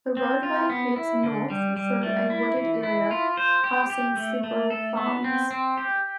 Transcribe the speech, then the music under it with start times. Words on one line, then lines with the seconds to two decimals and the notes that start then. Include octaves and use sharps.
The roadway heads north through a wooded area, passing several farms.
0.17 C4
0.43 F4
0.70 B3
0.96 E4
1.23 D3
1.50 G3
1.77 G3
2.03 A3
2.30 E4
2.57 E3
2.83 E4
3.11 F4
3.37 C5
3.64 G4
3.90 G4
4.17 A3
4.44 A3
4.70 A4
4.97 B3
5.24 C4
5.51 C4
5.77 G4